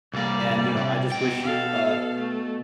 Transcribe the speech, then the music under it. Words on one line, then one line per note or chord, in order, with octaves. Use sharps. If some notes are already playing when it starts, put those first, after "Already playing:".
and, you know, I just wish you, uh,
C2 G3 A#3 D5
C3
B2 G5
A4 F5
A3